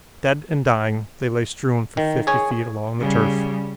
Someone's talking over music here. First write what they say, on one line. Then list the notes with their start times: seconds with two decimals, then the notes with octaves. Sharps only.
Dead and dying they lay strewn for fifty feet along the turf.
1.97 D#3
2.27 G#4 C#5 G#5
2.99 C#3 G3